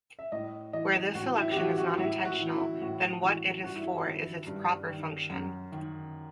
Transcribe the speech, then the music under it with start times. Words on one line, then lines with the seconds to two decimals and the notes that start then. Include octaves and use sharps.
Where this selection is non-intentional, then what it is for is its 'proper function'.
0.19 E5
0.32 A2 D#5
0.73 E3 D#5
1.15 A2 F#4
1.36 E4
1.52 G4
1.56 E3 F#4
1.78 F#4
1.98 A2 E4
2.25 F#4
2.40 E3
2.53 E4
2.81 A2 F#4
3.22 E3 F#4
3.64 G2 F#4
3.75 E4
3.96 E4
4.06 D#3
4.47 G2
4.88 D#3
5.30 F#2
5.72 D#3